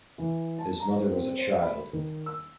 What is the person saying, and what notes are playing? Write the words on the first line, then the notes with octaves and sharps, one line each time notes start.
His mother was a child.
E3
A5
A#5
C4
C5
B5
D#3
E6